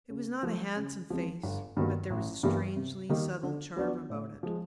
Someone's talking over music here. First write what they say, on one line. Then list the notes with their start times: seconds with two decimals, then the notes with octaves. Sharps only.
It was not a handsome face, but there was a strangely subtle charm about it.
0.10 C#3
0.43 F3 A3
0.76 C#3
1.10 F3 G#3 C4
1.43 G1
1.77 G2 D#3 F#3 A#3
2.10 A1
2.43 G2 E3 G3 A#3
2.76 C3
3.09 D#3 G3 A#3 D#4
3.43 D3
3.76 F#3 B3 D4 F#4
4.10 A2
4.43 F3 G#3